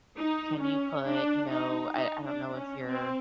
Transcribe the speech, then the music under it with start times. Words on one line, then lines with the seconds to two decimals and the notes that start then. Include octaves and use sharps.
"Can you put, you know" I I don't know if you're,
0.17 D#4
0.62 C#4
1.07 D4
1.51 D#4
1.97 D#4
2.27 D4
2.56 C#4
2.86 C4